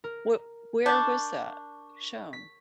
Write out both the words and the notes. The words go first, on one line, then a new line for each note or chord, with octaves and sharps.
What where was that shown?
A#4
D4 A5 C#6 G6
B6